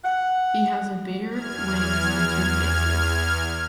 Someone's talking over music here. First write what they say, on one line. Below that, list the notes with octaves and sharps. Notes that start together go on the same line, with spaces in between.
He has a beard, wings and two faces.
F#5
E2 F6 G#6